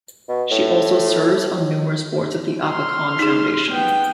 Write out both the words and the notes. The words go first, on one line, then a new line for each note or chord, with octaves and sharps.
She also serves on numerous boards of the Aga Khan Foundation.
B2
A2
C6 F6
D#4 G#4
B3 G5